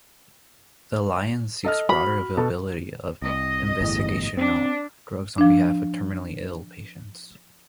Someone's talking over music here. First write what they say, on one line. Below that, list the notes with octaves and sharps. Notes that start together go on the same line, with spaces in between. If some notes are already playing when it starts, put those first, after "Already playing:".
The Alliance seeks broader availability of investigational drugs on behalf of terminally ill patients.
A4 D#5 F6
F#4 B5
B2 A4
C2 D#5
G1 E2 A2
C4 D4
F3 D4